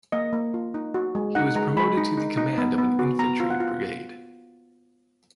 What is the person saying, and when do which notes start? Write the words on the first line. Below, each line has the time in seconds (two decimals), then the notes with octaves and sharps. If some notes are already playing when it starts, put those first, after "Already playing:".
He was promoted to the command of an infantry brigade.
0.12 A#3 D#5
0.33 A#3
0.54 F4
0.74 D#4
0.94 F#4
1.15 G#3
1.35 D#4 F#5
1.56 G#3 A#5
1.77 G#3 B5
1.97 D#4
2.17 D#4
2.37 D#4
2.58 B3
2.78 B3
2.99 F#4
3.19 B3 A#5
3.40 F4
3.50 F#5
3.60 F4